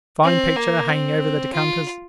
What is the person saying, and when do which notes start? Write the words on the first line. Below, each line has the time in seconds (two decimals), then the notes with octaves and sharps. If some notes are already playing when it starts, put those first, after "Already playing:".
Fine picture hanging over the decanters.
0.23 C4
0.56 A#3
0.89 C4
1.54 F4